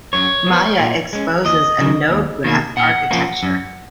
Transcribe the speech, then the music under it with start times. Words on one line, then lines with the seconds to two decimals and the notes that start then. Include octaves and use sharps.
Maya exposes a node graph architecture.
0.13 F#2 C#5
0.47 F3 B3
0.79 A#2
1.13 G#3 C#4
1.45 D#2 D#5
1.79 C#3 F#3
2.11 D#2
2.44 D#3 A#3
2.77 A#2 F#5
3.11 F3 A#3 C#4
3.43 F#2